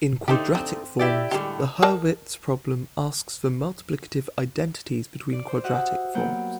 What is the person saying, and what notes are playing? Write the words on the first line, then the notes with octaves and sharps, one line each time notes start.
In quadratic forms, the Hurwitz problem asks for multiplicative identities between quadratic forms.
D3 A3 D#4 G4 A4 C5
C4
E4 G4 D5
A2 D3 G3 G#3 G4
A#4 D#5 A5
D5
C5
F#4 G4 D#5 E5 F#5
F#3 A#3 B3 F#5 G5